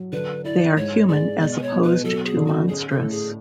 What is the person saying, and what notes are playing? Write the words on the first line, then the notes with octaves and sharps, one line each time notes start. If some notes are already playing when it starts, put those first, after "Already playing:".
They are human as opposed to monstrous.
Already playing: F#3
D3 B4
E4 D5
G#2 C#5
G#3 D5
B2 D5
B4
C#5
B2
B4
F#3 A4
G#4
D3
F#4
C#4 G#4
A4
A2
G#4